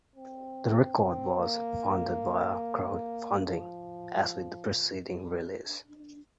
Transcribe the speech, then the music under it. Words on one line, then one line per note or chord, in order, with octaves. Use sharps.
The record was funded via crowdfunding, as with the preceding release.
C4
C4
A#3
F3